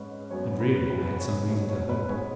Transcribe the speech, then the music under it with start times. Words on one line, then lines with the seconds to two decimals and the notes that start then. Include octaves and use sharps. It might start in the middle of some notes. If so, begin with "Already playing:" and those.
And really I had some reason to hope.
Already playing: G#2 G#3 C#4 B4
0.31 F#2 F#3 B3 C#5
0.60 B4
0.90 C#3 F#3 B3 B4
1.20 C#5
1.49 B2 B3 C#5
1.69 C#5
1.89 B4
2.09 G#2 G#3 B3 C#5